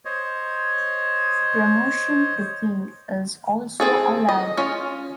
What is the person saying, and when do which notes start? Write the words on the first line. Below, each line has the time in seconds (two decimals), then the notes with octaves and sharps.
Promotion to king is also allowed.
0.05 C5 C#5 D#5
3.80 C4 G#4 A4
4.29 D#5
4.57 C#4 F4